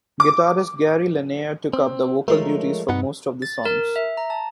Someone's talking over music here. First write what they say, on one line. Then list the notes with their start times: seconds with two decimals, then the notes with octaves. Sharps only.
Guitarist Gary Lenaire took up the vocal duties for most of the songs.
0.20 D6
1.73 C4
2.28 F3 G#3 A3 A#4 C#5
2.89 G2 B3 D#4 F#5
3.42 A6
3.65 A#4
3.96 E5
4.17 A#5
4.30 A5